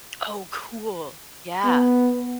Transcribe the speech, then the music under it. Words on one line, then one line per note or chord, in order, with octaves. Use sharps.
Oh, cool. Yeah.
B3